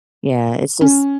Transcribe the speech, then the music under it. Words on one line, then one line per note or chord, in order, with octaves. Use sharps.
Yeah, it's just
C#4